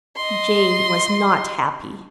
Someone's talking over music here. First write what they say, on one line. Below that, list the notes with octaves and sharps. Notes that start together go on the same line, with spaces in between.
Jane was not happy.
D#5 C6